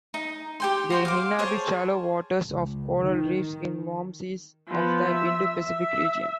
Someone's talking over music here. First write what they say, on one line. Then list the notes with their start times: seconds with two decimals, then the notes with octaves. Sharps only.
They inhabit shallow waters of coral reefs in warm seas of the Indo-Pacific region.
0.14 D#4
0.60 G4 G5 C6
0.90 F#4 C5 C6
1.05 F5 D6
1.39 G#4 C5 C#5 A5
2.48 C#2
3.01 D#3
4.68 F3 B3
5.10 E5
5.66 E5